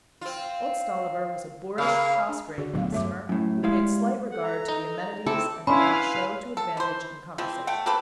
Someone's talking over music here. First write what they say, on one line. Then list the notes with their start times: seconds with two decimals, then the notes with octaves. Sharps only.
Old Stolliver was a boorish, cross-grained customer, who paid slight regard to the amenities, and did not show to advantage in conversation.
0.21 C4 F4
1.78 C#3 A#3 F5
2.29 D4
2.58 D3 F#4 G#4 D5
2.74 D#1 A2 D3 F#3 B3 F5
2.92 G2 F#3 A3 C#5 E5 D6
3.29 F#2 A2
3.63 G3 G#3 E4 F5
4.31 A4 F#5
4.43 A#5
4.68 D#4
5.27 C4 E4 A4 D6 E6
5.67 C#4 D4 E4 B4 F5 G#5 B5 C6
6.57 A4
6.77 E3 C5
7.38 E3 F3 G#3 C4
7.67 A3 F#5 G5
7.86 A#3 C4 A4 B4